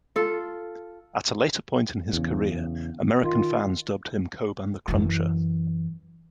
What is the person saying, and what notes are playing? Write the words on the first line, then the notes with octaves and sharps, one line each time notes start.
At a later point in his career, American fans dubbed him Coban The Cruncher.
F4 A4
E2 C#3
D#3 F4
F#2 E3